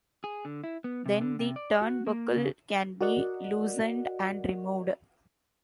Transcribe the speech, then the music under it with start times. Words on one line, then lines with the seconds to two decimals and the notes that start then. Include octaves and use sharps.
Then the turnbuckle can be loosened and removed.
0.24 G#4
0.45 D3
0.64 E4
0.84 B3
1.06 C3
1.21 D3
1.39 C3
1.56 D5
1.81 F#4
2.07 A#3
2.36 C#3
3.01 F#4 A#4 D5 D#5 F#5